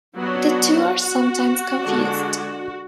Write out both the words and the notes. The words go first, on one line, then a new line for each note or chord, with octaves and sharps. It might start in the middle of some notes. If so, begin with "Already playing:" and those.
The two are sometimes confused.
F#3 B3 D4 F#4
F#4
D3 G#3 D4